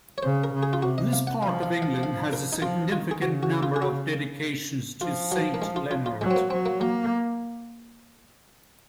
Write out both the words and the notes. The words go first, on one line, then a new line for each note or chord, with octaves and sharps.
This part of England has a significant number of dedications to Saint Leonard.
C#5
C#3 C5
A#4
C#3
G#4
F4
C3 F#4
D#5
F5
F#5
F3 F5
F5
F5
F5
A#4
D#4
F3 F4
D#3 F4
G#4
C#3 F#4
F#4
F4
G#4
F#4
F3 F4
F#3
A#3
G#3
F4
F4
F4
F#3 G#3
C4
A#3
F#3 C4
A#3
F#3 A#3